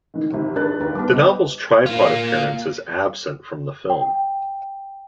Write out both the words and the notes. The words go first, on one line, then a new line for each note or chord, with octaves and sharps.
The novel's tripod appearance is absent from the film.
D#3 E3
G#1 C3
D4 G#4 B4 F#6 A6
D#2 A#4 B4
G3 B3 A5 D6
C5 D#5
A#3 F4
G5